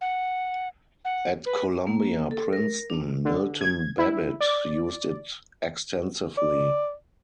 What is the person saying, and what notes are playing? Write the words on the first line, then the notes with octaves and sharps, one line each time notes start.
At Columbia-Princeton, Milton Babbitt used it extensively.
F#5
F#5
B4
A#3
A4
A#4
D4
D3
G#6
E4
D5
D5